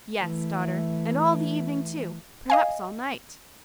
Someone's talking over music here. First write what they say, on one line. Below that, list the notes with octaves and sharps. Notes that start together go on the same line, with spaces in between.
"Yes, daughter, and all the evening, too; perhaps all night."
E3 A3
D#5 F5 G#5